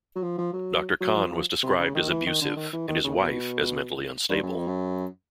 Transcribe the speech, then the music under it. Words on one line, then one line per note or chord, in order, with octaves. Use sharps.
Doctor Conn was described as abusive and his wife as mentally unstable.
F#3
F3
F3
F#3
F#3
F3
F3
C3
C#3
D#3
E3
D#3
D3
D#3
E3
D#3
C#3
A#2
B2
G2
F#2
F2
F#2